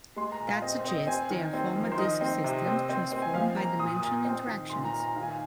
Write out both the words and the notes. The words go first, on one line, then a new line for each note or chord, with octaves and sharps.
That suggests they are former disk systems, transformed by the mentioned interactions.
G#3 C6
A#5
A#2
F5
C4 D#5
C5
C4 D#5
C4 G#5
D#3
C4
F3
A#4
C5
D#3 D#5
C4
C3
C4
C4
C4
G#5
F3 F5
A#3 A#5
A#2 D#6
D#6
A#2
C4
D#3
A#2 C6
A#5
A#2
A#5
D#3 F5
G#5
F5